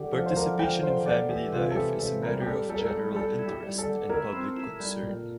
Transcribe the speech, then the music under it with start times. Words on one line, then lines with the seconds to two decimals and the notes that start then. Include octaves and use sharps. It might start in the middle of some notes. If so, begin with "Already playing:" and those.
Participation in family life is a matter of general interest and public concern.
Already playing: D3 G4
0.12 F3 A4
0.26 C5
0.36 D3 A#4
0.59 F3 G5
0.83 D3 C5
1.06 D3 D5
1.29 E3 G4
1.52 C3 F4
1.71 A4
1.76 E3 G4
1.99 C3 A4
2.22 G3 A#4
2.41 G4
2.45 G3 A4
2.69 G3 A4
2.78 A#4
2.85 A4
2.93 G3
3.16 G3 A4
3.39 E4
3.48 G4
3.63 G3
3.78 A4
3.86 D3
4.09 E4 A#4
4.33 C4
4.57 E4
4.80 G3
5.03 A#2